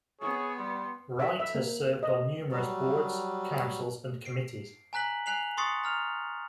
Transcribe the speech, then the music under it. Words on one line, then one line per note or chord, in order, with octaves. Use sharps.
Wright has served on numerous boards, councils and committees.
B3 G#4 C#5
G3 C6
E5
E5
A#3
D#5
F#3 G3
C7 D7
G#5 A#5 F#6 B6 F#7
G#5 F#6 C7 F7 F#7
C6 C#6 D#6 A6 C7 C#7
A#5 F6 F7